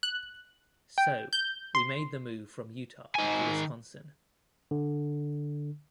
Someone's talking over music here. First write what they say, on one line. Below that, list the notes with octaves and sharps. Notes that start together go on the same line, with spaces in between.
So, we made the move from Utah to Wisconsin.
F#6
G5
G6
C6
D#3 G#5
D3